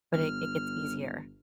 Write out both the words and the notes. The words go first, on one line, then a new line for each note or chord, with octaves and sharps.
but it it gets easier.
G1 F6